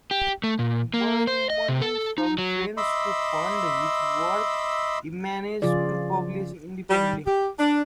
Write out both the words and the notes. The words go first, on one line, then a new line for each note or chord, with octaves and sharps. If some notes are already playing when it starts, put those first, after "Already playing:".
Borrowing money from friends to fund his work he managed to publish independently.
G4
A3
A#2
A#3
C5
D#5
C3
A4
D#4
F#3
D#5 E5 B5 C6 D6 E6
C#3 F3 F4 G#4 D5
G3
G4
D4